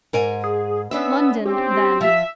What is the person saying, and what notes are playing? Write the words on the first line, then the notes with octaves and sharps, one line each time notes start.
"London, then."
G#2 A#4 G#5
G#4
B3 C#4 D4 E5 E6
C4 G4
F3 E5